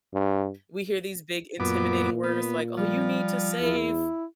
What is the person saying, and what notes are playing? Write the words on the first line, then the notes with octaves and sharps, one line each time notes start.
we hear these big intimidating words like, "Oh, you need to save
G2
F#2 A#2 B3 D6
B3
F3 G3
E2 E4